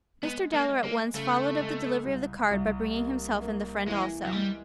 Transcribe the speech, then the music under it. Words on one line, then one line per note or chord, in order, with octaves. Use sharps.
Mr. Dowler at once followed up the delivery of the card, by bringing himself and the friend also.
G#3 B3
A#3
G#3
A#3
C#3 A3
G#3
C2
C2
A#3
A#3
E3 G#3
F#3
G3 G#3